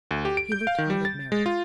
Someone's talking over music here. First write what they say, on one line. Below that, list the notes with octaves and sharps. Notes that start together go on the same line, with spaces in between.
He looked hard at Mary.
D2
G4
D7
G6
F5
D#3
G3
A6
G#3
F4